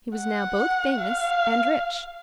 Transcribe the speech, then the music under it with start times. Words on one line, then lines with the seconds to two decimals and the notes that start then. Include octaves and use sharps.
He was now both famous and rich.
0.17 F#5
1.00 F5